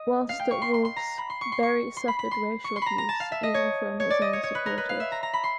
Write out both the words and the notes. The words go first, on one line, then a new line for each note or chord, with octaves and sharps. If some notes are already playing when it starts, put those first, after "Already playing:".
Whilst at Wolves Berry suffered racial abuse even from his own supporters.
Already playing: D#5
F5
G5
C#6
C6
C6
C6
A#5
B5
C6
C#6
C6
C#6
C6
B5
B5
C6
C#6
C6
A#5 B5
A#5
A5
F5
E5
D#5
C#5
C#5
D5
D#5
C#5
C#5
B4
A#4
B4
F5
E5
A#5
A#5
B5
C6